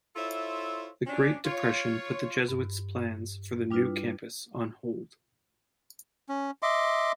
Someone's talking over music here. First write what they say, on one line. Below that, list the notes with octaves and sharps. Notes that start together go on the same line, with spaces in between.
The Great Depression put the Jesuits plans for the new campus on hold.
E4 F4 A4 C5 C#5 E5
C#4 D4
F4 C#5
G2
G3 D4 E4 F4 B4
C#4
D#5 E5 C6 D6